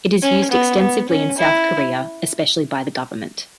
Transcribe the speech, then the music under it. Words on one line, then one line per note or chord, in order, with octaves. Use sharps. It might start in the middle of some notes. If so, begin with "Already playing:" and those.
It is used extensively in South Korea, especially by the government.
C#4
B3
B3
C#4
E4